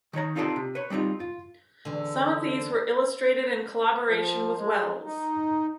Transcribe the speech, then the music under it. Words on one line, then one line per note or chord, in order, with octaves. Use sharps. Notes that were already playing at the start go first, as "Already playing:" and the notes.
Some of these were illustrated in collaboration with Wells.
D#3 D#4 C#5 A#5
C4 D#4 F4 G4 A4 D5
C3
B4 C#5
G3 C4 D4 D#4 F4
F4
E2 D3
F3
G#3
D#4